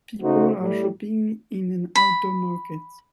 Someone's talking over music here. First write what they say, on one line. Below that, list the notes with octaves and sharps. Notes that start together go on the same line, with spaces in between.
People are shopping in an outdoor market.
C#3 A3 D#4 F#4 C5
A2 G3
B5